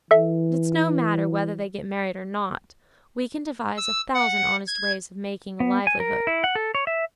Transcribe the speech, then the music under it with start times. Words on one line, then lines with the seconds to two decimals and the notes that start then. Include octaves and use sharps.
But it's no matter whether they get married or not: we can devise a thousand honest ways of making a livelihood.
0.11 E3 A4 E5
3.77 E6
4.14 F#5
4.67 G#6
5.60 B3
5.87 G#5
6.00 A#4
6.27 E4
6.44 F#5
6.55 A4
6.75 C#5
6.87 E5